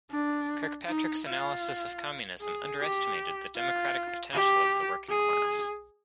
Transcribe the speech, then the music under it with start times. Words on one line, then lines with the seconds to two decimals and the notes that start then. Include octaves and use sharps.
Kirkpatrick's analysis of communism underestimated the democratic potential of the working class.
0.11 D4
0.88 D#4
1.26 F4
2.41 G#4
2.80 G4
3.57 F4
4.33 G4
5.09 G#4